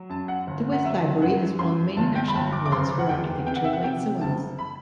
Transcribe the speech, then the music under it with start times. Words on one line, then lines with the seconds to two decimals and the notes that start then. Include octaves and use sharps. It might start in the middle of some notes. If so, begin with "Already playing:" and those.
The West Library has won many national awards for architectural excellence.
Already playing: F#3
0.09 F#2 A5
0.28 F#5
0.47 G1
0.72 F#5
0.84 F#3 E5
1.22 F#2 F#5
1.59 F#2 C6
1.97 G1 A5
2.15 G5
2.28 B5
2.34 G1 A5
2.52 D6
2.66 D6
2.71 F#1 C6
2.99 F#5
3.09 E2 G5
3.46 C3 G5
3.56 F#5
3.64 E5
3.73 F#5
3.84 C3 G5
4.21 F#1 A5
4.59 B5